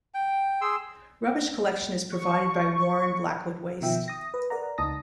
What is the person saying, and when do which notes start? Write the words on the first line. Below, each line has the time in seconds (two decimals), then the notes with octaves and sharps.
Rubbish collection is provided by Warren Blackwood Waste.
0.14 G5
0.61 G#4 C6 E6
2.12 C#6
3.81 B2 D#3 F3 E5 G5
4.08 D#6 A#6
4.34 B4
4.50 A#4 D5 F#5 A#5
4.78 C#2 D#4 A5 D#6 A#6